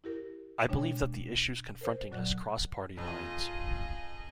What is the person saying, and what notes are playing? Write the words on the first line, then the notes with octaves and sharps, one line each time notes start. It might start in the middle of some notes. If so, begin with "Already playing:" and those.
I believe that the issues confronting us cross party lines.
E4 G4 A#4
B2 G#3 D4 C#5 G5
A#4 C5
A#2 F#3 D5 F#6
F2 F4 G#4 D#5